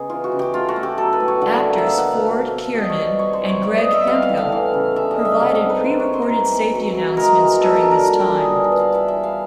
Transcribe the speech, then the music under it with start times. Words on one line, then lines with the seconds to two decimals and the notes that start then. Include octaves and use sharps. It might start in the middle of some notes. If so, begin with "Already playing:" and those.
Actors Ford Kiernan and Greg Hemphill provided pre-recorded safety announcements during this time.
Already playing: C#3 G#3 B3 G#4
0.10 E3 F4
0.24 F#4
0.32 C#3
0.39 G4
0.53 A3 F4
0.68 F#4
0.76 A3
0.83 G4
0.98 F#3 A4
1.13 B4
1.20 A2
1.28 C#5
1.41 D3 F#5
1.64 A#3
1.78 E5
1.86 B3 F5
1.98 F#5
2.08 B2 F5
2.30 F3 F5
2.52 F3
2.75 G3 D#5
2.90 C#5
2.96 B3
3.19 C4 C#5
3.33 C5
3.41 E4
3.49 C#5
3.63 B3 D5
3.78 D#5
3.85 B3
3.93 E5
4.07 G3 F5
4.23 F5
4.29 A2
4.37 F5
4.52 E3
4.74 C#3
4.96 D4 E5
5.11 D#5
5.18 D4
5.25 E5
5.40 C3 F5
5.55 F5
5.62 D#3
5.69 B4
5.84 E4 C5
6.00 C#5
6.06 E4
6.14 C5
6.22 A#4
6.29 D#4 B4
6.50 E3
6.73 F#3
6.94 F#3
7.17 G#3 A#4
7.39 E3
7.61 A#2 A4
7.76 A#4
7.83 D4
7.91 A#4
8.05 G3
8.20 G4
8.27 G3
8.35 G#4
8.50 B3
8.64 B4
8.72 B3
8.79 F5
8.94 E3 E5
9.08 E5
9.16 E3
9.24 F5